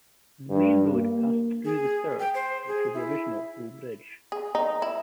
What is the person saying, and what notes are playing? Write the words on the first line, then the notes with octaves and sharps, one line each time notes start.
The main road passed through the third which was the original Bull Bridge.
G2
A#3
G#4
G5
C5
G#4
E4
G#4
D#4
E4